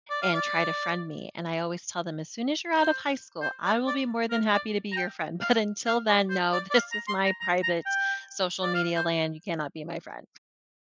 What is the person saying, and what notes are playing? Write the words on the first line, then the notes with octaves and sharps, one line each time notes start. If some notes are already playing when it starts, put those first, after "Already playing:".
and try to friend me, and I always tell them, "As soon as you're out of high school, I will be more than happy to be your friend, but until then, no, this is my private social media land, you cannot be my friend."
D5
F5
D5
C5
C5
D5
D5
A#4
D5
A#5
G5
F5
F5
D5
C5
D5
D5
F5
A#5
C6
A#5
A#5
A#5
G5
D5
F5
C5